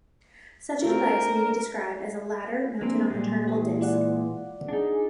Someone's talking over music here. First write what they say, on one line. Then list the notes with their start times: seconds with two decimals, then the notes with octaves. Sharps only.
Such a device may be described as a ladder mounted on a turnable disk.
0.84 A3 C4 D4 A#4
2.81 F3 A#3 C4 D4
3.10 A#2 G3 G#3
3.48 E3 G4
3.81 F4 D5 F#5
4.69 D4 D#4 G#4